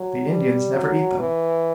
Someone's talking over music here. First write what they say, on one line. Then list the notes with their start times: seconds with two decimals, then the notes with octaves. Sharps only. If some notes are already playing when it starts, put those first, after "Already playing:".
The Indians never eat them.
Already playing: F#3
0.28 G3
0.73 F#3
1.19 E3